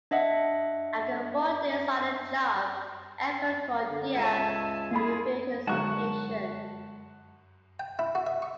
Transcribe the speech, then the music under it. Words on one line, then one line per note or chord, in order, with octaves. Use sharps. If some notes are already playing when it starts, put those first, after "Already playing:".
After four days on the job, Egbert called Dear and revealed his location.
D4 D#5 E5 F#5
D3
C#2 E5 G#5 A5
A#3 E4 F4 G#4 B5
D3 F#3 G#3 D#4 F#5 A5 C#6 F#6
G5
E4
F#4
E5
C#6